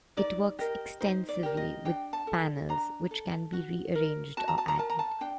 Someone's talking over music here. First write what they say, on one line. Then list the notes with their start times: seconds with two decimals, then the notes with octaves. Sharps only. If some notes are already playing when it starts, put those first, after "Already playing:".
It works extensively with "panels", which can be rearranged or added.
0.17 D#4 D5
0.59 G4 A#4 D#5
1.01 D#4 C5
1.29 D5
1.43 G4 A#4
1.57 D#5
1.85 D4 G5
2.13 A5
2.27 A4
2.69 D4 A#5
3.11 A4
3.53 F#4
3.95 A#4
4.37 F#4 A5
4.48 A#5
4.58 A5
4.68 A#5
4.78 A#4 A5
4.90 A#5
4.99 A5
5.21 D4 G5